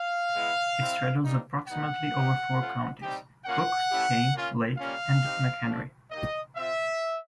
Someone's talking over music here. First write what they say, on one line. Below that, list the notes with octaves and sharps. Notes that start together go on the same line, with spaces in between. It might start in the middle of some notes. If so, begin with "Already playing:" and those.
It straddles approximately over four counties, Cook, Kane, Lake, and McHenry.
Already playing: F5
G#3 B3 E4
G3 C4 E4
G3 A#3 D#4
G3 B3 D#4 F#5
B3 D#4 G4
A3 C#4 F4
G3 C4 D#4 G4
A#3 C#4 F4 F#5
A3 C#4 E4 G4
A#3 C#4 F4
G3 A#3 C#4 F4 F5
C4 D#4 G4
A3 D4 F4
A#3 D#4 G4 D#5
C4 F4 E5